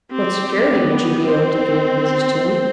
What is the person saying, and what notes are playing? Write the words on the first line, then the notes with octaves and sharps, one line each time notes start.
"What security would you be able to give, Mrs. Toomey?"
C4 G4
B3
C4 C5